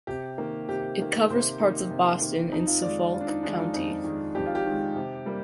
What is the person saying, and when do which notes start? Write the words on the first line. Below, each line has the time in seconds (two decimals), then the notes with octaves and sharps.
It covers parts of Boston in Suffolk County.
0.07 C3 G4
0.38 D#3 A#3
0.69 C3 G4
0.99 D#3 A#3
1.30 C3 C5
1.60 D#3 A#3 D#4
1.90 C3
2.22 D#3 A#3
2.52 F2 D#4
2.66 F4
2.82 D#3 G#3 D5
3.13 F2 F4
3.21 D4
3.29 D#4
3.43 D#3 G#3 D4
3.52 F4
3.58 D#4
3.74 F2 D#4
4.04 D#3 G#3
4.35 F2 G4
4.46 F4
4.55 G4
4.65 D#3 G#3
4.96 C3
5.26 G3 A#3